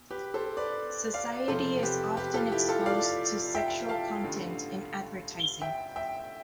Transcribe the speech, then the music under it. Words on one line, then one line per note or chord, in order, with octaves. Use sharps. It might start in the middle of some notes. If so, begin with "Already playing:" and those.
Society is often exposed to sexual content in advertising.
Already playing: B1
G4 B4
A4 C5
B4 D5
D5 F5
F1 E2 C3 F3 A4 C5
G4 B4
G4 B4
F4 A4
E4 G4
F4 A4
D5 F5
E5 G5
F5 A5
A1 G2 D3
E5 G5
E5 G5